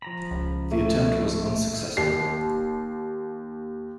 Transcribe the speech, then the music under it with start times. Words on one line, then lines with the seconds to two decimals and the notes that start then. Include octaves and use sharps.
The attempt was unsuccessful.
0.02 F3 A#5 B5
0.31 C#2
0.71 A3
1.97 D#2 C7